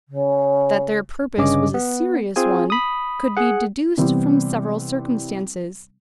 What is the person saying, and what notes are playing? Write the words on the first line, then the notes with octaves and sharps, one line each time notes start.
That their purpose was a serious one could be deduced from several circumstances.
C#3
G1 G2 C#3 C#4 D#5 D6
B3
C4 F4 G#4 G#5
B5 D#6
G#4 F#5
C3 E3 G3 B3 C4